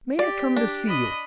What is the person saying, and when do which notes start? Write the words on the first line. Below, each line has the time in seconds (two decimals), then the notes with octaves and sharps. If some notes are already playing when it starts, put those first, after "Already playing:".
May I come to see you?
0.19 G4 D5
0.57 D4
0.88 D#5 B5